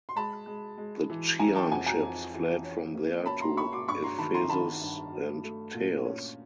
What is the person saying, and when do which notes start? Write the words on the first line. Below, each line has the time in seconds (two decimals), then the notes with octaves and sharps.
The Chian ships fled from there to Ephesus and Teos.
0.09 C6
0.16 G#3 A5 B5
0.47 G#3
0.77 G#3
1.10 E3
1.39 E3 G#5 A#5
1.55 G5 A5
1.71 F2 F#5 G#5
1.86 G#5 A#5
2.02 F2
2.34 E3
2.64 C#4
2.95 A#3
3.26 C#4 A5 B5
3.41 A#5 C6
3.57 A#3 B5 C#6
3.72 C6 D6
3.88 G2 B5 C#6
4.04 A#5 C6
4.18 D#3 A5 B5
4.34 A#5 C6
4.49 D#3 A5 B5
4.81 G2
5.12 F#3
5.44 A3
5.74 A#2
6.05 C#4